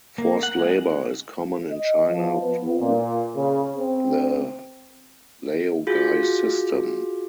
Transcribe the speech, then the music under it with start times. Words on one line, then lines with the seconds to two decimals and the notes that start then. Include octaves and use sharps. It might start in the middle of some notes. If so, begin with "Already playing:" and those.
Forced labor is common in China through the laogai system.
0.18 A#3
0.43 F#5
0.59 G#3
1.72 D#5
2.08 F3
2.41 B3
2.80 A#2
3.35 C#3
3.76 C4
5.87 F4 F#4 G#4